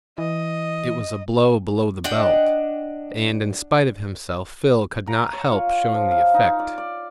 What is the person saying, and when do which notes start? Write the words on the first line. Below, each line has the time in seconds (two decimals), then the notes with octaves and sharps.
It was a blow below the belt, and, in spite of himself, Phil could not help showing the effect.
0.18 E3 D#5
2.04 D4 D#5 F#5 G5
5.07 A#5
5.33 C#5
5.51 F4
5.94 F3
6.11 F5
6.34 D#4
6.60 D5
6.78 D5